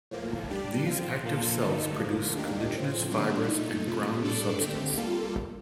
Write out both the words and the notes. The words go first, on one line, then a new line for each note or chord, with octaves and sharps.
These active cells produce collagenous fibers and ground substance.
A2 F3 A#3
G3 D4 G4 D5
F3 C4 F4
A#2 F3 A#3 F4 A4
G2 D3 A3 D#4 A4
D3 F3 A#3
D#2 D#3 A#3 D4 G4
A2 F3 C4
D3 G3 A#3 D4
A#2 A3 D#4
C3 F3 A3
A2 G3 D4 A4 D5
D#2 D3 A3 C4 G4
G3 A#3 F4 A4